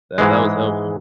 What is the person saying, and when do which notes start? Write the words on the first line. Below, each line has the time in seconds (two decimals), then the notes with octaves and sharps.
That that was helpful.
0.18 G#2 E3 G#3